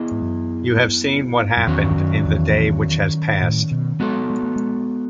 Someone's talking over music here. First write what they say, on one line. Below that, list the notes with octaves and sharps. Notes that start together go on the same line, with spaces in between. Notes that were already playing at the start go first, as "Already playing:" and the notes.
You have seen what happened in the day which has passed.
Already playing: B3 E4 G#4 D#5
G#2
F#2
F#2
E2 D#3 F#3 C#4 F#4
E2
F#2
E2
A2
B2
G#3 B3 F#4 A4
G#3
A3
G#3